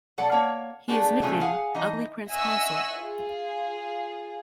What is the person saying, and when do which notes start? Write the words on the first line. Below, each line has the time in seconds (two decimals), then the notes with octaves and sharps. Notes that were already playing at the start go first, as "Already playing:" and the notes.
He is nicknamed "Ugly Prince Consort".
0.18 B2 F#3 A4 D5 F#5
0.32 A#3 C#5
0.88 G#3 A3 B3 D4 G4 G#4
1.21 A#2 C#3 F3 F#3 G#3 A3
1.41 G#4 F5 F#5 G#5
1.74 E3 D#4 D#5
2.29 D#5 E5 F#5 G#5 C#6 E6
2.97 F4 G#4